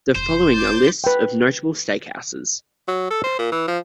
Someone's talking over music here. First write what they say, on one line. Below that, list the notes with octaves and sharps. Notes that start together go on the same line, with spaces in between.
The following are lists of notable steakhouses.
F1 E2 C5
D6 G6 A6
B4 G5
F#3
A4
C5
A#2
E3
F3